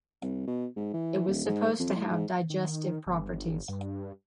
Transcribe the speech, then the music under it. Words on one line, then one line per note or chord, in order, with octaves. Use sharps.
It was supposed to have digestive properties.
C2
B2
G#2
E3
D#1
G#2
F2
A2
G#2
D#3
G1
G2